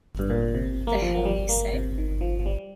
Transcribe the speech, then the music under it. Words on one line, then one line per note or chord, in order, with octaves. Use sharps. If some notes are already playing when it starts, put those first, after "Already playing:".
The hell you say!
G2
A#2
C3
A#3
G3
F3
A#3
G3
A#3
C3
D#3
F3
F3
G3